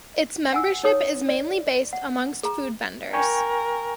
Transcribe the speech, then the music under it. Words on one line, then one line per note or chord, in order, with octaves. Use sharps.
Its membership is mainly based amongst food vendors.
F#5 G#5 E6
D#4 C#5 D#6
D5
F#5
G#4 A#5
A#4 G5 G#5 C#6